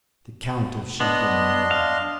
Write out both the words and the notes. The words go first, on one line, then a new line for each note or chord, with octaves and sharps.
"The Count of Chateau Noir."
B3 D4 D#5 C6
F5